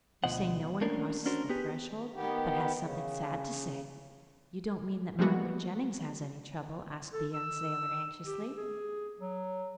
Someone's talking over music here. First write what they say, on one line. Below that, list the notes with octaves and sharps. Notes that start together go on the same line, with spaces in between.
"You say no one crosses the threshold but has something sad to say; you don't mean that Margaret Jennings has any trouble?" asked the young sailor, anxiously.
D2 B2 F3 C5 D#5 F#5
A3 A#3 C#4 D4 A#4
C#4 D4 F#4 A#4 C5
B3 G4 G#4
D#3 B3 G4
C#3
F3 G3 G#3 A#3 B3 F#4
A4
E6
G4
G#4
F#3